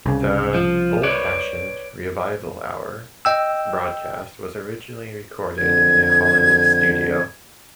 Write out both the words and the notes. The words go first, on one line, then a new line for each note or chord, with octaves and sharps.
The "Old Fashioned Revival Hour" broadcast was originally recorded in a Hollywood studio.
C2 C#3
F3
B4 C#5 D5
D#5 G5 E6
F2 D3 G#6